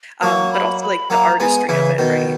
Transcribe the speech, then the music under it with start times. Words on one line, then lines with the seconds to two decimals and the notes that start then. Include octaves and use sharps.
Um, but also, like, the artistry of it, right?
0.22 F#3 A#3 C#6
0.52 B5
0.81 B5
1.10 F#3 A#3 A#5
1.40 G#3 B3 G#5
1.68 C#3 E3 E5
1.98 B2 D#3 D#5